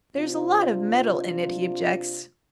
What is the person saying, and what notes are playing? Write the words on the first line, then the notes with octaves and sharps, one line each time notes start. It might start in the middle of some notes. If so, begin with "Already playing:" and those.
"There's a lot of metal in it," he objects.
C3 C4 D4 F4